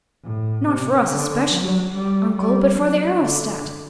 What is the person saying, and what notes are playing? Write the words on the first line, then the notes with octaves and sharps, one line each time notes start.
Not for us, especially, uncle, but for the aerostat?
A2
C3
D3
F#3
G3
G3
F#3
D3